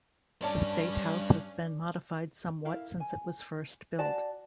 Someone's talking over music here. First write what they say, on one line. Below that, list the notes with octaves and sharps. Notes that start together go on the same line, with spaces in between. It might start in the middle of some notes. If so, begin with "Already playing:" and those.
The State House has been modified somewhat since it was first built.
G2 C#4 D4 C#5 D5 A5
E4 A#4 F5
G#5
F#4 D5 A5